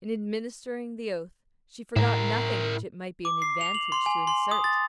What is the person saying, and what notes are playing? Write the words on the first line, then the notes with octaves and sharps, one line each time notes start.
In administering the oath, she forgot nothing which it might be an advantage to insert.
A2 E4 A#4
D6
C7
F7
F#7
C6
G#5
C6
D#6
A6